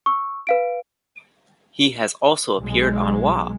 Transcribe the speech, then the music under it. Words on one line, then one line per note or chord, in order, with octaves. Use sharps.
He has also appeared on Wah!
C#6 E6
B4 F5 D7
B1 G#3